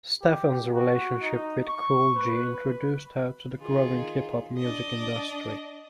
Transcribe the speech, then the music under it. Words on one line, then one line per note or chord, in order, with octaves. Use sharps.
Steffans' relationship with Kool G introduced her to the growing Hip hop music industry.
G4
F#4
D#4
C#6
B4
D#3 F4 G#4
D4 D#5